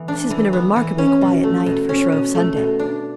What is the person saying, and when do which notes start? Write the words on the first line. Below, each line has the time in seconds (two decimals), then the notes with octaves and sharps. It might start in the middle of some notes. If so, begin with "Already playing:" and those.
This has been a remarkably quiet night, for Shrove Sunday!
Already playing: E3 B3
0.08 D4
0.30 E3
0.53 B3
0.76 E3
0.98 C#4
1.21 B2
1.43 A3
1.66 B2
1.89 C#4
2.12 B2
2.35 A3
2.57 B2
2.79 D4